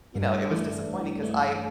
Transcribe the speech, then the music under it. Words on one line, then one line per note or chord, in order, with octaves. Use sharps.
you know, it was disappointing 'cause I
G2
E3 A3 D4
G2
E3 A3 D4